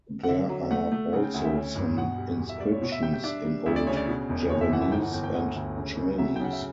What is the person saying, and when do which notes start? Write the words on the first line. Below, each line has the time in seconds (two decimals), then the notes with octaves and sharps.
There are also some inscriptions in Old Javanese and Chinese.
0.23 F#5
0.28 D3 E5
0.49 F#3
0.71 A3 F#5
0.92 A3
1.13 C#3 F#5
1.24 G5
1.34 D2 F#5
1.45 E5
1.55 C#4
1.76 G2
1.98 B2 F#5
2.18 G3
2.39 E2
2.49 E5
2.60 G3 D5
2.71 C#5
2.82 B2 C#5
2.92 E5
3.03 G3 G5
3.13 G5
3.24 D4 E5
3.44 G3
3.66 D2 E5
3.76 D5
3.87 C#3 C#5
3.97 D5
4.08 B2
4.29 E1
4.50 F#1 C#5
4.61 E5
4.71 E3 F#5
4.81 E5
4.92 G1 G5
5.02 F#5
5.13 G1 G5
5.24 G5
5.34 D2 F#5
5.55 D2
5.77 C#3
5.97 C#3
6.18 F#3 E5
6.36 G5
6.40 C#3 F#5
6.53 E5